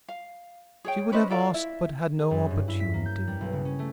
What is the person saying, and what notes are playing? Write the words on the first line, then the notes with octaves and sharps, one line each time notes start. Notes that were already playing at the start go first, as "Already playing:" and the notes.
She would have asked, but had no opportunity.
F5
G#4 C#5 G5
C#4 B4 C5 D#5
F4 A4 D5 F5
E4 E5
G#4
F#2
G2
E4
B6
A#3
G6
G3
B1
C#3
C#4
A3